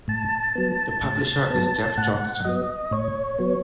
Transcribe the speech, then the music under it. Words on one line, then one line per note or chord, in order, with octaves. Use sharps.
The publisher is Jeff Johnston.
A2 A5
F#3 B3
A2
F#3 B3
A2 F#5
F#3 B3 D#5
A2 C#5
F#3 B3